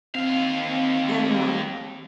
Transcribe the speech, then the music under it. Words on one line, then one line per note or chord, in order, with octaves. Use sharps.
and, um,
D#2 C4 F5